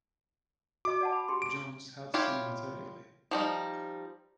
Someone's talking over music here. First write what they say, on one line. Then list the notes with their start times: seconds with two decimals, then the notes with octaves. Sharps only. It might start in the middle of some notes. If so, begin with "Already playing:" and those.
Jones helps him materially.
0.85 F#4 D#5 D6
1.01 D5 F#5 A5
1.12 B5
1.28 G4 C6
1.42 D7
2.14 E4 F4 G4 C#5
3.31 F3 G3 D#4